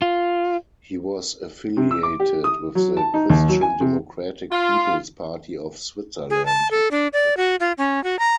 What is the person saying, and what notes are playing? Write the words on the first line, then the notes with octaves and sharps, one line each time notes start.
He was affiliated with the Christian Democratic People's Party of Switzerland.
F4
C3
E6
D6
G4
D#6
F#3
A5
D#4
D#2
F#3
G#5
C3
F4
G#4
A5
A4
D4
D5
F#4
F4
C#4
F#4
A#5